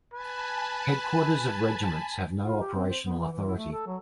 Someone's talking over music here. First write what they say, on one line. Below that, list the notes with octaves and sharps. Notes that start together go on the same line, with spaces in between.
Headquarters of Regiments have no operational authority.
B4 G#5 A5 B5
F4
G4
C4
C5
B3
E3
E3
E4
A3
A4
F#3